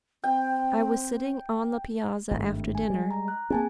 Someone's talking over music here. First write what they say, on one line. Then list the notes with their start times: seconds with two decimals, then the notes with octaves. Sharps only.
I was sitting on the piazza after dinner.
0.24 C4 G5
2.31 G#1 G2 A3
2.75 G#5
2.90 G3 G#3
3.11 A#5
3.28 F#6
3.50 A#3 C4 G#4 G#5 A5